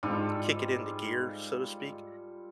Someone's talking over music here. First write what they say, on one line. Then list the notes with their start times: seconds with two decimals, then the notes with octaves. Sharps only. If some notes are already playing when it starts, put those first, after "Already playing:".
kick it into gear, so to speak,
0.03 G#2 G3 F4 A4